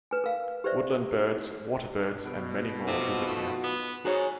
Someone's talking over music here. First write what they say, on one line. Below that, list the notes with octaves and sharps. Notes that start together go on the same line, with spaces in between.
Woodland birds, water birds and many more visit here.
B4 G#5
A#4 F5
G4 B4 C5 D5 E5
B2
C3 D#4 F4 F#4
A3
B3
G#2 F#4 G#4 C#5